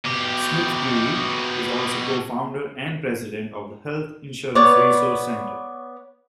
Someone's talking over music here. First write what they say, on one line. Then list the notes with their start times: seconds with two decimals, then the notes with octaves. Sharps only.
Smith-Dewey is also co-founder and president of the Health Insurance Resource Center.
0.05 B2 G4
4.55 B3 B4 C#5 D5